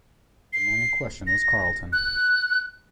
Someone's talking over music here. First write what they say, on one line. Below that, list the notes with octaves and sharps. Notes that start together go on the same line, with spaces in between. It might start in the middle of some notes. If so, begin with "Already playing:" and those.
The man in question was Carlton.
C7
A#6
F#6